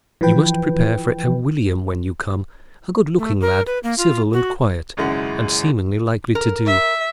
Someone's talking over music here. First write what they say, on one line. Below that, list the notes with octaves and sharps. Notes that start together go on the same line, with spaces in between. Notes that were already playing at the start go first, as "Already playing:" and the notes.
You must prepare for a William when you come, a good-looking lad, civil and quiet, and seeming likely to do.
E3 F3 B4 G5
A3
A#4
B4
A#3
F4
F#4
G#1 F#2 C#3 G#3 E4 F#5
A#4
E5